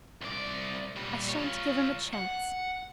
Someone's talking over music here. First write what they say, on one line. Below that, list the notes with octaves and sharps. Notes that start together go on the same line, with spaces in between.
I shan't give him a chance.
C2 D5
A#2 G3
F4 C#5
F#5